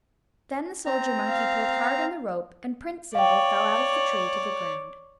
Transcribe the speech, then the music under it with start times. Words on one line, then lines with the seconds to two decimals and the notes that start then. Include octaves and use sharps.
Then the soldier-monkey pulled hard on the rope, and Prince Zingle fell out of the tree to the ground.
0.86 C4 A#5
1.28 F5
3.15 C#5 D5 F5 G5